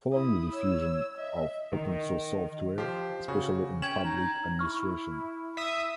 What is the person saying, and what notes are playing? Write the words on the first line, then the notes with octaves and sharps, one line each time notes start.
Following the diffusion of Open Source software, especially in Public Administration.
E4 D#6
C#5 E6
D#5 E5
D#3 D#5
F3 G4 C5
C#3 F#4
C#4 G5 G#6 E7 F#7
D#4
E4 C#6 F6
E5 D#6